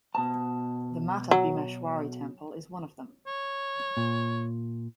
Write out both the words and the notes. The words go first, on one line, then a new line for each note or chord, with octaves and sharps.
The Mata Bhimeshwari Temple is One of them.
B2 A5
F#3
C#5
A#2